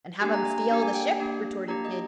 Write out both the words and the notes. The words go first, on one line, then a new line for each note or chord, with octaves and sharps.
"And have them steal the ship!" retorted Kidd.
A#3 D4 G4 G#5
A#5
G#5
A#5
A#3 D4 G4
G#5
G5
A#3 D4 G4
A#3 D4 G4 A#5
D#5